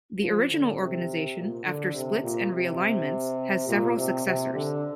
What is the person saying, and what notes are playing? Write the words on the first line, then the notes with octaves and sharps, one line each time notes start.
The original organization, after splits and realignments, has several successors.
F3
D3
C3
A#2
D3
C3
A#2
C3
A#2
C3
C3
D3